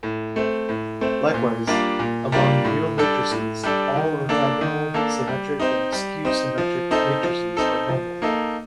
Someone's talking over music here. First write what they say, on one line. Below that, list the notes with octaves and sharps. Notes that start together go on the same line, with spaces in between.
Likewise, among real matrices, all orthogonal, symmetric, and skew-symmetric matrices are normal.
A2
A3 C4
A2
A3 C4
A#2
G3 A#3 D4 F4
A#2
G3 A#3 D4 F4
A2
G3 D4 A4
A2
G3 D4 A4
D#3
A#3 D4 A4
D#3
A#3 D4 A4
G3
C4 D#4
G3
C4 D#4
F3
C4 D#4 A4
F3
C4 D#4 A4
F3
A#3 D#4 A4